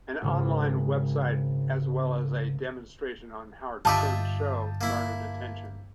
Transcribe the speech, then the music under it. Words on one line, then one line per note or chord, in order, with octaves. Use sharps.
An online website as well as a demonstration on Howard Stern's show garnered attention.
G#1 C#3
G2 D3 G3 F4 D#5 E5 A5 D6
A#3 E4